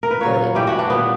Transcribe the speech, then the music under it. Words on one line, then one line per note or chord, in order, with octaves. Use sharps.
but, uh,
A#4
B4
A#2 F#3 C#5
G2 E3 G3 G4
F#4
D4
A#2 G3 B3